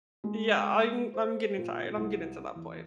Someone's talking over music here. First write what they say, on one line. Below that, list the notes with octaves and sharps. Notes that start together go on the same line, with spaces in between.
Yeah, I'm I'm getting tired, I'm getting to that point.
G#3
C5
A#2
C2
E2